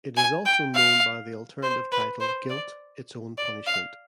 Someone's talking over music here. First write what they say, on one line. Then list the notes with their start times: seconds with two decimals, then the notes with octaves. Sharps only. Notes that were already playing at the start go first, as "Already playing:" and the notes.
It is also known by the alternative title Guilt Its Own Punishment.
0.17 G#5
0.45 G5
0.75 F5
1.63 C5
1.92 B4
2.21 C5
2.50 D5
3.38 D5
3.67 F5